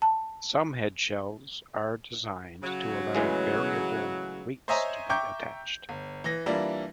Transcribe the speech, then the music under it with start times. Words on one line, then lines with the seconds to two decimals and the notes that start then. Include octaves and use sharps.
Some head-shells are designed to allow variable weights to be attached.
0.02 A5
2.62 C#3 F#3
3.15 A2 E3 G#3
4.68 C5 C#5 D#5 E5 G#5 A#5
5.09 E5 G5 A#5 C#6 D6 G6
5.89 G1
6.24 E3 A#6
6.46 E3 G3 A#3 D4 E4 F4